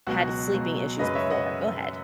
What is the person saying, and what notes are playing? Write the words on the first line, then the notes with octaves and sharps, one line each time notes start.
had sleeping issues before. Go ahead.
C#2 B2 F#3 F#4
C#2 B2 F#3
F#2 C#3 G#3 C#4 B4 D#5
C#5 E5
D#5 F#5